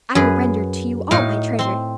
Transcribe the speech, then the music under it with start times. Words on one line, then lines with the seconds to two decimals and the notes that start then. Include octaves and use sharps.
I will render to you all my treasure.
0.15 F#2 G#4 B4
1.11 A2 D#4 F5
1.59 C4 C6